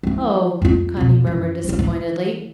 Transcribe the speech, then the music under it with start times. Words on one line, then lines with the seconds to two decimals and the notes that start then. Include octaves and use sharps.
"Oh!" Conny murmured disappointedly.
0.03 E3 F3
0.62 F2 F4
0.97 F2 B2
1.27 F#2
1.64 A1 G3
1.79 E3